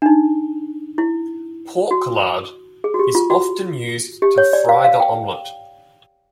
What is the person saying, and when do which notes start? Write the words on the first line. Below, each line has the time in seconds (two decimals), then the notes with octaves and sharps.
Pork lard is often used to fry the omelette.
0.02 D4
0.06 D#4
0.98 E4
1.91 F#4
2.84 G#4
2.94 F#4
2.99 G4
3.15 F4
3.30 F#4
4.22 G4
4.38 C#5
4.53 D5
4.69 F5
4.84 F5
5.00 G5